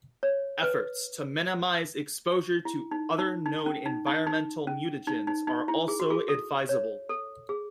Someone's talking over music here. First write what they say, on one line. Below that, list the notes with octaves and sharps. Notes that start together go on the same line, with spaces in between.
Efforts to minimize exposure to other known environmental mutagens are also advisable.
C#5
B4
E4
D#4
D#4
D#4
C#4
D#4
D#4
D#4
C#4
D#4
D#4
D#4
E4
G#4
F#4
G#4
A4
C#5
A4
G#4